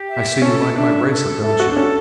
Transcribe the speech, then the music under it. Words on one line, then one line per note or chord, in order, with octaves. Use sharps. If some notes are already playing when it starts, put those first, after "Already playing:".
"I see you like my bracelet, don't you?"
Already playing: G4
E5
C#4 A4
D4 E5
A4
E4 A4
F#4
D4
C#4 A4